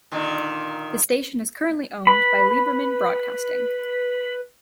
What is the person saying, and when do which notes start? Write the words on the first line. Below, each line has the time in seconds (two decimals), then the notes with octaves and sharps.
The station is currently owned by Liberman Broadcasting.
0.12 A#2 D3 D#3
2.07 B4 B5